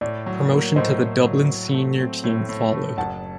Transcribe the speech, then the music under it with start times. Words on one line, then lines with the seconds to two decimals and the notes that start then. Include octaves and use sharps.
Promotion to the Dublin senior team followed.
0.01 A2 D5
0.26 F#3
0.51 A#3
0.76 A2 C5 D#5
1.01 A2
1.25 F#3
1.50 A2
1.74 A3
1.98 C4
2.24 A2
2.49 A2
2.73 A3
2.98 F#1 F#5 A5